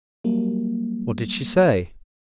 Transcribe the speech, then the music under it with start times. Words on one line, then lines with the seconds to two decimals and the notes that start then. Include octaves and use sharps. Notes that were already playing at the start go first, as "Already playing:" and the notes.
"What did she say?"
0.24 F#3 G3 A#3